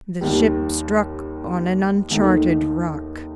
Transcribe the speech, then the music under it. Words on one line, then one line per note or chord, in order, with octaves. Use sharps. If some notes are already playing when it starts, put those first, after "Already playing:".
The ship struck on an uncharted rock.
D#2 D#3 G3
D#2 D#3 A3 D#4